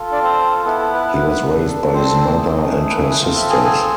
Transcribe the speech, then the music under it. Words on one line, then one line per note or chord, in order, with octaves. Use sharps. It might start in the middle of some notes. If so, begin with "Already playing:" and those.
He was raised by his mother and her sisters.
Already playing: F4 A4
D4 D5
C4 C5
B3 E4 A4
A4
B4
B4
D4 A4
C4 C5
A3 E4 G#4
B4
B4
C4 F4 A4
E4 E5
G#4 G#5
G#4 G#5